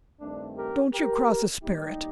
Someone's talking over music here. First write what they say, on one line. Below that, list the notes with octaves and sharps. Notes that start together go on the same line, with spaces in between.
"Don't you cross a sperrit."
G2 D#3 A3 C4 D4
G4 A#4
G4 A#4
A2 G3 A#3 D#4 G4